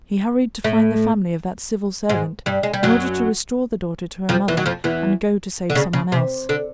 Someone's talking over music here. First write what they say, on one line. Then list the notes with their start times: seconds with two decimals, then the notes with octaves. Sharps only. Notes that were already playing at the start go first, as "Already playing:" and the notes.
He hurried to find the family of that civil servant in order to restore the daughter to her mother and go to save someone else.
0.64 A2 A3
2.09 G#2 G#3
2.46 G2 G3
2.63 G#3
2.73 G3
2.83 F#2 F#3
4.29 F2 F3
4.48 E2 E3
4.57 F#3
4.66 F2 F3
4.84 E2 E3
5.70 D3
5.75 C#3
5.93 C#3
6.12 C3
6.49 D3